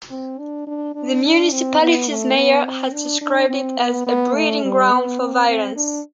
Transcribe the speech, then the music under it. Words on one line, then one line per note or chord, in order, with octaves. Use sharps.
The municipality's mayor has described it as "a breeding ground for violence".
C4
D4
D4
D4
D4
C4
B3
A3
B3
C4
D4
D4
C4
B3
B3
A3
G3
B3
C4
C4
D4